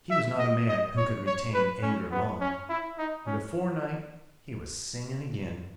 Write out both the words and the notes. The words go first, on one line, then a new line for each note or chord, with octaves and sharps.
He was not a man who could retain anger long, and before night he was singing again.
E5
D#5
D#5
C#5
C#5
B4
C#4
B3
C#4
E4
D#4
C#4